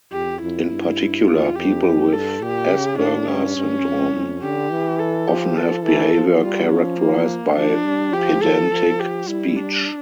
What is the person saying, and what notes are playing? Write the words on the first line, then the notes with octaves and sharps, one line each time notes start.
In particular, people with Asperger syndrome often have behaviour characterized by pedantic speech.
F2 G4
F2 E4
G2
E2 F4
F2 G4
G2 A4
A#2 G4
C#3
A2 D4
G2 C#4
G2
F2
F2
D3 G4
E3
A4
F3 G4
F3 A4
E3 A4
F3
G3 F4
F3 C#4
A#3
F3 D4
G3
F3 G4
F3 A4
F3
G4
G3 E4
D4